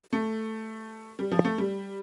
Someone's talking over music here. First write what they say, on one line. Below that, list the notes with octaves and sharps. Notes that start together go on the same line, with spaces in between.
Ford introduced flexibility into mass production, so that Fordism could continue to evolve.
A3
G3
F3
A3
G3